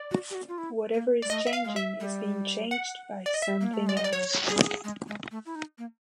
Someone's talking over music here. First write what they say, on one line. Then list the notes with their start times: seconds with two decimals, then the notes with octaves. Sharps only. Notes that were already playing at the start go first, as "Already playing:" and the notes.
Whatever is changing is being changed by something else.
Already playing: D5
0.11 F#4
0.30 G4
0.35 F#4
0.48 F4
0.58 E4
0.94 A#3
1.22 G#3 D5
1.29 A3 D#5
1.47 E5
1.53 F5
1.64 G#3
1.76 E5
2.00 G3
2.71 F#5
3.26 D5
3.34 D#5
3.42 E5
3.61 A#3
3.74 A3
3.87 G#3 D5
3.97 D#5
4.00 G3 D5
4.13 F#3 C#5
4.49 G3 G#4
4.84 G#3
5.08 G#3
5.31 A3
5.46 E4
5.55 D#4
5.78 A#3